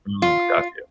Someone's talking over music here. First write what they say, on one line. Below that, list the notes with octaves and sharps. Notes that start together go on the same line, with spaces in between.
Mm, got you.
F4